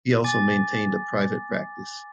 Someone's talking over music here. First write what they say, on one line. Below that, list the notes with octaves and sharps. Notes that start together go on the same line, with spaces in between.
He also maintained a private practice.
G#5 D6 A6